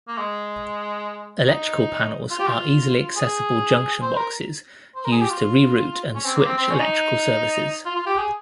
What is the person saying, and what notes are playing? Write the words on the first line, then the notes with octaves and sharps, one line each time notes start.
Electrical panels are easily accessible junction boxes used to reroute and switch electrical services.
A#3
G#3
D#4
F4
G4
F4
G#4
C5
A#4
C5
A#4
G#4
G4
F4
C#4
C4
A#3
C4
C4
C#4
D#4
F4
F4
G4
G#4